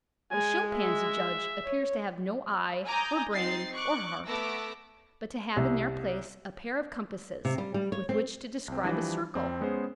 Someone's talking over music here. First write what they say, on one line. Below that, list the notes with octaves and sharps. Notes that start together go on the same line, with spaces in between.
The show-pansy judge appears to have no eye, or brain, or heart, but to have in their place a pair of compasses with which to describe a circle!
G#3 G#5
E5
C#5
G#5 A#5 D6 D#6 G6
C4 D#4 A6 C7
C#6 D6 F#6
A3 B3 A5 D6 E6 A#6
C2
C3
G3
G3
C#5
C4
C2 C4
E3 F3 G3 D4
F2 C4
G#3 B3 C#4 G#4 C5